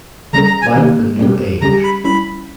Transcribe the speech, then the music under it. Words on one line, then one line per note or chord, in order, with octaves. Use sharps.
Like the New Age.
C#3 G3 C#4 G#4 A#5
A#5
G#5
D#3 A#3 D#4 G4
G3 C#4 G4
C#3 G3 C#4 G4 A#5
B5
G3 C#4 E4 B5